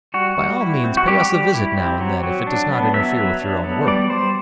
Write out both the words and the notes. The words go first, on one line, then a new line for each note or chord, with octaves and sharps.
By all means pay us a visit now and then, if it does not interfere with your own work.
G3 F#4
G3
E4
C4
F#4
G3 G4
G3
E4
C4
F#3
F#3
D4
B3
F#3 E5
F#3
D4
B3
G3 D5
G3 C5